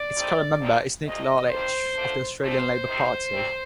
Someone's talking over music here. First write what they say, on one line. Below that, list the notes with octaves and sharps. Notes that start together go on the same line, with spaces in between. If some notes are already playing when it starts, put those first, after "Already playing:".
Its current member is Nick Lalich of the Australian Labor Party.
Already playing: D5
A2 G3 C4 D#4
D2 D3 F3 C4 D#4
D2 C3 F3 D#5
G2 D#3 G3 C4 C5
D3 F3 A3 D4
A#2 F3 A3 C4 C5
C3 D#3 G3 C4 D#4
D2 C3 G3 C4